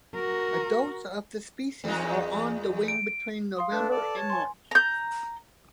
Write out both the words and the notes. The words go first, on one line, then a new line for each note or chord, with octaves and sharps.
Adults of the species are on the wing between November and March.
F#4 A#4
E2 G#3 D#4
D7
F5 C6 D#6
A3 D4 A4 B4 F#6 G6
A4 D5
C#5 A5
G#5 C6
A#5 G6